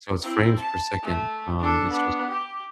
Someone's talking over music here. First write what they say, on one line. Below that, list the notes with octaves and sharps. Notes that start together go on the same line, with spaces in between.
So, it's frames per second, um, it's just
C4 E4
A5
A3
D4 A4
B3 D4
G4